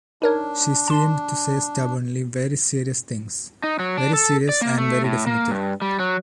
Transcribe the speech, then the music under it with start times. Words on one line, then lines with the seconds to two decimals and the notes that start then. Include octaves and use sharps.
She seemed to say stubbornly very serious things, very serious and very definitive.
0.22 D4 D#4 A#4 C#5
0.88 A5 C6
3.64 D#4
3.79 F#3
3.97 D4
4.13 A4
4.49 D5
4.61 A#3
4.78 A3
5.04 A2
5.27 A#3
5.51 G2
5.82 G3
6.00 F#3